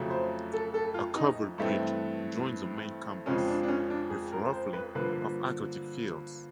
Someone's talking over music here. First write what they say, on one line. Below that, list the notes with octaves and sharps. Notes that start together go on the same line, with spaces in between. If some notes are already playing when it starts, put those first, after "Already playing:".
A covered bridge joins the main campus with roughly of athletic fields.
Already playing: F2 C#3 F#3 A3
C5
A4
A4
F4
D#4
G2 E3 A3 C4
F2 C#3 F3 G#3 C4 C#4
D4
D4
C#4
D4
G#4
A#4
C5
B4
G2 D3 F3 A#3 B4